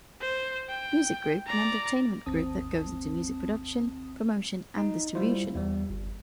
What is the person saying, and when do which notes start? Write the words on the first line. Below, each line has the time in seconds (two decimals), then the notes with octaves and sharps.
Music Group, an entertainment group that goes into music production, promotion and distribution.
0.21 C5
0.69 G5
1.47 D5 A#5
2.26 G#1 D#2 C4 A5 D#6
4.78 D#4
5.15 G3 E4 F4 C5
5.55 E2 G3
5.90 G1